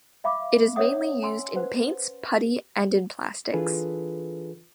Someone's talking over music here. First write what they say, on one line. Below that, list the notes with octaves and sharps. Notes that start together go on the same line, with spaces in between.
It is mainly used in paints, putty, and in plastics.
E5 F5 B5 D6
C#4 C#5 D5 E5 F#5 D#6
C#4 G#5 C6 E6
B4 C5 F#5
E3 D4 F4 G#4 A4 B4